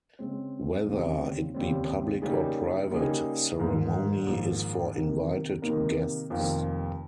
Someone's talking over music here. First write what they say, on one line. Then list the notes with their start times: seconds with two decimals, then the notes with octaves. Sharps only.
Whether it be public or private, ceremony is for invited guests.
0.19 C#3 G#3 C4
0.86 D#2 C#3 G3 C4
1.54 D#2 C#3 G3 C4
2.22 C#3 G3 A#3 D#4 G#4
2.90 C#3 G3 A#3 D#4 G#4
3.58 A#1 G#2 D#3
4.26 A#1 G#2 D#3
4.94 C3 D#3 A#3 D#4 A#4
5.62 C3 D#3 A#3 D#4 A#4
6.30 F1 F2 D#3 A#3 F4